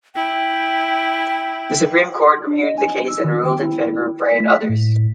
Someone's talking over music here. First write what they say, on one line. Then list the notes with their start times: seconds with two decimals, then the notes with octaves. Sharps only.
The Supreme Court reviewed the case and ruled in favor of Bray and others.
0.15 E4 G5
2.47 D4
2.63 D#5
2.78 G#5
3.08 E6
3.24 D#3
3.45 G5
3.62 E4
4.28 B6
4.40 A3
4.69 A2